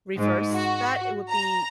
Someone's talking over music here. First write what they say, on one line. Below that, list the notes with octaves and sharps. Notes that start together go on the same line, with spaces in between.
reverse that, it would be
G#2
F#4
A#5